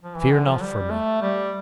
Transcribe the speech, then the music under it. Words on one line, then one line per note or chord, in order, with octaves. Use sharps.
Fear not for me.
F3
E3
D3
F3
G3
A3
G3